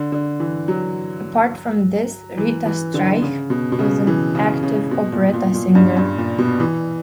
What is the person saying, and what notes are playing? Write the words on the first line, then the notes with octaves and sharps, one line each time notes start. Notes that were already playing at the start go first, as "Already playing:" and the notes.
Apart from this Rita Streich was an active operetta-singer.
Already playing: D3
D3
E3
F#3
E3
E3
D3
C#3
B2
B2
C#3
E3
C#3
C#3
B2
A#2
A#2
A#2
G2
G2
A#2
B2
E3